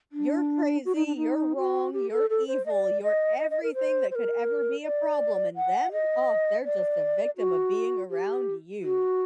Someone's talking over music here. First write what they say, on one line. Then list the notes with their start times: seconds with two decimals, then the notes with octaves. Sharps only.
"You're crazy, you're wrong, you're evil, you're everything that could ever be a problem. And them? Oh, they're just a victim of being around you."
0.12 D4
0.85 F#4
0.95 D#4
1.06 D4
1.16 D#4
1.57 F#4
1.93 G4
2.11 A4
2.30 A4
2.48 C5
2.66 D#5
2.70 D5
3.02 D#5
3.38 D#5
3.51 D#5
3.63 A#4
3.74 C5
4.11 C5
4.15 A#4
4.83 D5
5.56 F#5
5.92 D#5
6.65 D5
7.37 F#4
8.10 G4
8.82 F#4